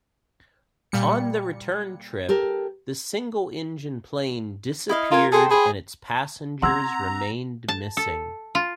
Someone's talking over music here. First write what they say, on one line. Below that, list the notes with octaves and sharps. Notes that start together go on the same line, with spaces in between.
On the return trip, the single-engine plane disappeared and its passengers remained missing.
A#2 G3 C#7
G4 A4 A#4
E4 D#5 F5
F4 A#4 G#5
G#4 A4 C5 G5
G#4 C5 G5 B5
C4 F#5 A#5 C6 E6 G#6
A5
A4
F4